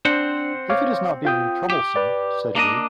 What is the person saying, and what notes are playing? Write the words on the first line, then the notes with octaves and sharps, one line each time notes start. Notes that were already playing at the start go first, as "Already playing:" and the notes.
"If it is not being troublesome," said we.
C4 D4 C5 F#5
C#5 F5 D6
F4 G5 D#6
G4
B4 D5
A#3 D4 D#5